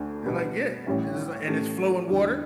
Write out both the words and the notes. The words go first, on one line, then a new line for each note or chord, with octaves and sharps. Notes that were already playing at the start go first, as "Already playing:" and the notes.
They're like, "Yeah," this is like "And it's flowing water?"
Already playing: D2 D3 A3 D4
B2 G3 B3
A1 A2 G3 C#4 E4
A2 E3 A3 C#4 G4
E2 D3 G3